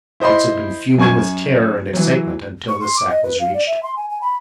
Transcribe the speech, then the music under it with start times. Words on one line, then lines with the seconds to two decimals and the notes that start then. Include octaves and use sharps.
Fritz had been fuming with terror and excitement until this sack was reached.
0.20 E4 C5 D#5 B5 C6
0.98 F#2 G#5 C#6 G#6
1.93 E3 F#3
2.68 C#6
2.81 C6
2.96 D6
3.08 D#5
3.24 B4
3.40 F5
3.54 D5
3.66 E5
3.83 C6
3.96 G#5
4.10 G#5
4.21 B5